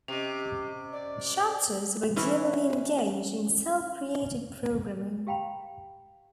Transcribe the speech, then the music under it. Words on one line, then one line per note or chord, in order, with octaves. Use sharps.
Chapters regularly engage in self-created programing.
C3 C#4 G4 D#5
D5
E3 C#4 E4
G4 F5 G5 A#5 B5